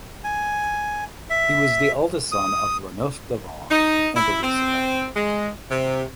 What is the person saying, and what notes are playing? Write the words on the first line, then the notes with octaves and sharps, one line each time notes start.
He was the eldest son of Ranulf de Vaux and Alicia.
G#5
E5
D#6
D#4
E4
C4
G#3
C3